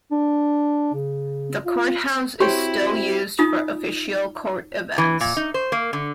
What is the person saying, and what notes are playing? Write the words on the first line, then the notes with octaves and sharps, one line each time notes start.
The courthouse is still used for official court events.
D4
C#3
F4
C4 E4 F#4 G4 C5 C#5 G5
D#4 F4 D#6
E3
A#2
D#4
C5
A#3
D3